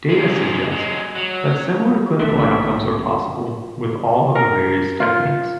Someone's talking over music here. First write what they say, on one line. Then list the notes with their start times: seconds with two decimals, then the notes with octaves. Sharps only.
Data suggest that similar clinical outcomes are possible with all of the various techniques.
0.10 C3 G#3
0.72 F#3 G#3
1.15 F#3
2.19 B1 E2 G2 D3 E3 A3 A#3 E5
4.35 A#4
5.00 F4